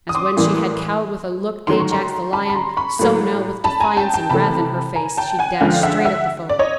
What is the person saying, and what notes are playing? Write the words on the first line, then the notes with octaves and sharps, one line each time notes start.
As when she had cowed with a look Ajax, the lion, so now, with defiance and wrath in her face, she dashed straight at the foe.
D#6
C6 D6
A2 E3 G3 A#3
D#3 F#3 A3 C6
C#6
A#5 C6
A5 B5
B5
A#5 C6
B5 C#6
A2 F#3 A3
A5 B5
G#5 A#5
G5 A5
G5 A5
C3 E3 A3 A5 B5
G#5 A#5
G5 A5
F#5 G#5
D3 F3 G#3 F5 G5
E5 F#5
E5 F#5
D5
C#5 D#5